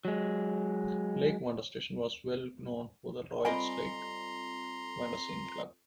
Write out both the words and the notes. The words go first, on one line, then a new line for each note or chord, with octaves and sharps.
Lake Vanda Station was well known for The Royal Lake Vanda Swim Club.
F#3 G#3
G3 C4 F4 A4 D#5 G#5 A#5 C6